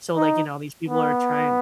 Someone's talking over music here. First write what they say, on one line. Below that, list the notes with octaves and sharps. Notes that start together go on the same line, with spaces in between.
so, like, you know, these people are trying
D#4
B3